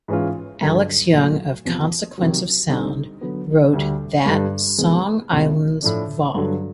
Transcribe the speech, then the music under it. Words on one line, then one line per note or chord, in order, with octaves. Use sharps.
Alex Young of "Consequence of Sound" wrote that ""Song Islands Vol.
G#2 E3 G#3 C#4 F4
G2 D3 F#3
A#2 F#3 A3
E2 C3 F3
C3 D#3 F#3
D3 G3 C4 D#4
D3 F#3 B3
D2 D3 G3
G2 D3 G3
E2 C3 D#3 G#3 B3
C2 B2 G#3 C#4 E4
A2 F3 A3 D4
G2 D3 F#3